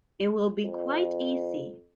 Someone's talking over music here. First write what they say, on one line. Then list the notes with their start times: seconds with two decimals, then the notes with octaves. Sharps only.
It will be quite easy.
0.63 F2